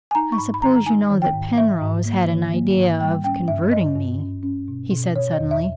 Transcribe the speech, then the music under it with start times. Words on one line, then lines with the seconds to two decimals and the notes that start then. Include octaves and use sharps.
"I suppose you know that Penrose had an idea of converting me?" he said, suddenly.
0.11 G#5
0.15 D#4 A#5
0.32 C#6
0.38 G#2 B5
0.54 B5
0.62 D#3 A#5
0.76 A#5
0.86 D#4 G#5
1.10 D#3
1.22 G5
1.33 G#2
1.58 G#2 E5
1.81 G#2
2.05 A#3
2.30 D#3
2.53 A#3
2.76 G#2
3.01 G3 G5
3.24 C#4 G5
3.48 G2 E5
3.72 G2 D#5
3.96 G2
4.19 C#4
4.43 C#4
4.68 B2
4.91 B2
5.16 B2 C#5
5.33 D#5
5.39 E2
5.51 E5